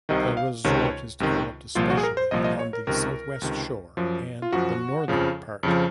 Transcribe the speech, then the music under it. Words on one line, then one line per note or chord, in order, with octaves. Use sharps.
The resort is developed especially on the southwest shore and the northern part.
C2 C3 D#3 D#5
F5
C#2 C3 D#3 C#5
C#2 C3 D#3
C2 A#2 F3 F4
F#4
G#4
A#4
C5
C2 A#2 F3 D#5
D#5
C#5
A#4
C#2 C3 D#3 A#4
C#2 C3 D#3
F#2 F3
F4
F#2 F3 F#4
F2 C#3 F3
F2 C#3 F3